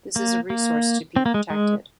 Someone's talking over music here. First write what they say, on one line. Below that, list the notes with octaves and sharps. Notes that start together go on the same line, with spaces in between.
This is a resource to be protected.
A#3
A#3
C4
A#3
G#3
G#3